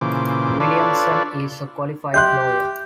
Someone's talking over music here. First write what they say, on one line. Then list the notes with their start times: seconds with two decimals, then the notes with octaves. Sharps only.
Williamson is a qualified lawyer.
0.01 A#2 C#3 E3 C5 D6
0.60 D4 F4 A4 B4 C#5 D5
2.14 G4 E5 C6 F#6 G6